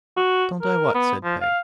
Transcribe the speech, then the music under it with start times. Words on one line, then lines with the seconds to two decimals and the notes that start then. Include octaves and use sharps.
'Don't I what?' said Peg.
0.17 F#4
0.62 A#4
0.94 B3
1.24 F3
1.41 F5